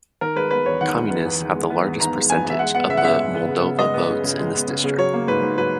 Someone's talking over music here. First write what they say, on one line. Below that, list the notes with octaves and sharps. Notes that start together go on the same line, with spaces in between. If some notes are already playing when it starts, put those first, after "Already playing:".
Communists have the largest percentage of the Moldova votes in this district.
D#3 A#4
G#3 B4
B3 B4
E2 C#5
D#3 F#5
G#3
B3
E2
D#3
G#3
B3
E2
D#3 A#5
G#3
B3 G#5
E2
E5
G#3 F#5
B3 F#5
C#3 E5
F#5
C#3 E5
G#3
B3
C#3
C#3
G#3 D#5
B3
C#3
C#3
G#3
B3
C#3
C#3
F#3 C#5
A#3
G#2 B4
G#2
F#3 B4